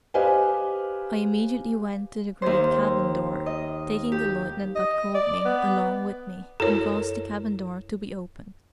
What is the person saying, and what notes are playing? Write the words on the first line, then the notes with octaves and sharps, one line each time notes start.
I immediately went to the great cabin door, taking the lieutenant that called me along with me, and caused the cabin door to be opened.
G4 B4 C5 D#5 F5 G#5
D#2 C5
D#5
G4
D#5
D5
B3
F#2 E4 A4 A#4 C#5